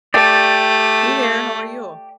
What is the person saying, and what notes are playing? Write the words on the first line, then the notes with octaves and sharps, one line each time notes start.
Hey there, how are you?
A3 G4 D5